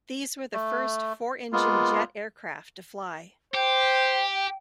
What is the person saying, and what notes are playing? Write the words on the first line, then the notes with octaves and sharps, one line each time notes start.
These were the first four-engine jet aircraft to fly.
A3
G#3 A#3 B3 F4
G4 C5 G5